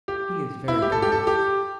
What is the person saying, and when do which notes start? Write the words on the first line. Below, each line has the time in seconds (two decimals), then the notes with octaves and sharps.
"He is very kind."
0.08 G4
0.68 E4
0.82 G4
0.92 A4
1.02 G4
1.12 A4
1.27 G4